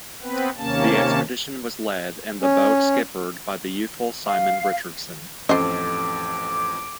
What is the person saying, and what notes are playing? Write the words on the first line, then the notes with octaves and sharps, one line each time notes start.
The expedition was led, and the boat skippered, by the youthful Simon Richardson.
B3 C4 B4
D#2 C3 A#3 C#4 A5
C#4
F5
A1 F2 C#4 A4 C5 D#5 D6